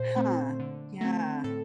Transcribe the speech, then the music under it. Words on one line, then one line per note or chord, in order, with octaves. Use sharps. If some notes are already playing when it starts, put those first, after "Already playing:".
Huh. Yeah.
Already playing: A#2 C5
A3 C4
D3
A3 C4
A2 A4